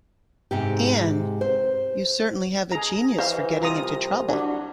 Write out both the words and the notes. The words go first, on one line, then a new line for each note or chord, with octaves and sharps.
Anne, you certainly have a genius for getting into trouble.
G#2 C3 G4
C5
G#4 A#5
E3 C5 D#5 F5
C2 F4 A#5 D#6
F#3 G3 D4